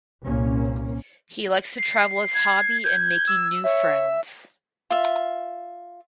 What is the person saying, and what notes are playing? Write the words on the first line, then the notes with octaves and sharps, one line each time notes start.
He likes to travel as hobby and making new friends.
C2 A#2 A#3 C#4
C7
G#6
G6 G#6
E6
C#5 E5
F4 E5